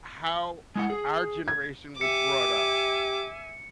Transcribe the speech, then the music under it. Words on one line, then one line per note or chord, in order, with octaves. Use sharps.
how our generation was brought up.
G#3 E4 F#5
G#4
G#6
G4 E5 G#5 D6 C#7